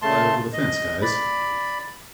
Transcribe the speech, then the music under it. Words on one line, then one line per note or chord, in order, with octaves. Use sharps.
Fly over the fence guys!
C#3 A3 A5 C6
D#5
D5 B5